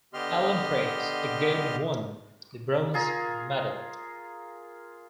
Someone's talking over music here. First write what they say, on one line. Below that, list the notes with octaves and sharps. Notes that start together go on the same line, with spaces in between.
Ellen Preis again won the bronze medal.
D3 B3 G4 D#5 C6 F6
F4 G#4 A#4